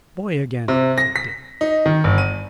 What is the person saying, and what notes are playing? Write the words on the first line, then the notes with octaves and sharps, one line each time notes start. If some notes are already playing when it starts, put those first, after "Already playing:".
"Boy again!" said Dick.
C3
A#6
B6
D#4
D#3
G1
D#7